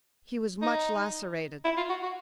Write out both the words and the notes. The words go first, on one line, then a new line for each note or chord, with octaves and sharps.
He was much lacerated.
D#4
E4
F4
F#4
F#4